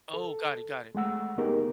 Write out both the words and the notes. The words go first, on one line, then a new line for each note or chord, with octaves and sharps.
Oh, got it, got it.
A4
G#3 A3 F#5 E6
A#3 B3 D#4 G4 G#4 A#4